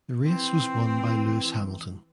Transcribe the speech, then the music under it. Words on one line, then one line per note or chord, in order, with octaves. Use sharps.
The race was won by Lewis Hamilton.
E3 C4